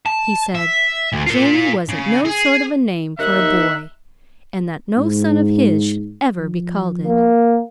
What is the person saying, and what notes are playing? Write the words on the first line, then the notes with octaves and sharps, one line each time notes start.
He said 'Jamie' wasn't no sort of a name for a boy, and that no son of his should ever be called it.
A5
E5
D2
F4 A#4
C#3
G#4
D#2 D#4 E5 F#6
G#2
F3
A#3